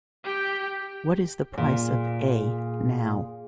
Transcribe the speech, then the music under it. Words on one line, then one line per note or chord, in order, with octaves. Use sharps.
What is the price of "A" now?
G4 G5
A#2 G#4